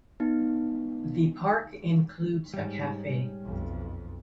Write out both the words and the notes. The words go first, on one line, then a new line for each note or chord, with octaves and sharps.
The park includes a cafe.
B3 D#4
G#2 G3 C#4
B1 F2